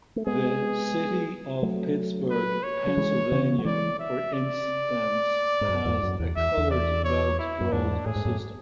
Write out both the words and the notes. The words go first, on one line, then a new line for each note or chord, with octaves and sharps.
The city of Pittsburgh, Pennsylvania, for instance, has a colored belt road system.
A3
G#3 B3 G#4
F#3 A3
B4
C#5
F#3
E3 G#3
C#3 E3
F#3
E3 G#3 D5
E5
D5
G#2
F#2
E2 G#2
F#2
E2
E2 E5
E2
D5
C#5
E4
F#2
E2 G#2 D4
A2 G#4
G#2
F#2 A2